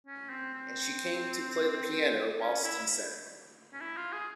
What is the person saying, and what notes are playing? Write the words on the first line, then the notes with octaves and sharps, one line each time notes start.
And she came to play the piano whilst he sang.
C#4
C4
C4
C#4
E4
C#4
E4
F4
G#4